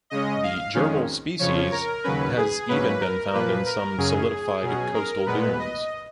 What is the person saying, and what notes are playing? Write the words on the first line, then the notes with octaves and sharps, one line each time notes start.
The gerbil species has even been found in some solidified coastal dunes.
C#3 G#3 C#4 D#5
F5
F2 D#3 G#3 C#4
F2 C#3 F3 C#5
A#4
D#2 C#3 F#3 C#4 B4
G#4
G#2 F#3 A#3 C#4 B4
A#4
A#2 F3 A#3 B4
A#4
F#2 C#3 F#3 C#4 G#4
B2 F#3 C#4
A#4
A#2 G#3 B3 B4
D#5